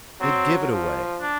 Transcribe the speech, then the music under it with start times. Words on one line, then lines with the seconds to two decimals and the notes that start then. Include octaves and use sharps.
They give it away.
0.20 F#3 C4
0.72 F3
1.21 D4